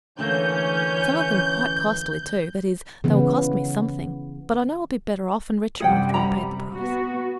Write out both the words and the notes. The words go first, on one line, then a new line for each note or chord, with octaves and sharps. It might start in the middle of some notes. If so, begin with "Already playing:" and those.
Some of them quite costly, too; that is, they will cost me something, but I know I'll be better off and richer after I've paid the price.
D2 E3 A3 A#3 C#4 G6
C#3 E3 B3
F#2 C3 G3 G#4 F#5 G5
A#5 B5
B3 F#4